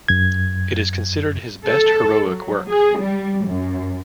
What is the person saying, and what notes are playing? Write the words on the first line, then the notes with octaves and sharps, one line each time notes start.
It is considered his best heroic work.
F#2 G#6
A4
F#3
G#4
G3
F#2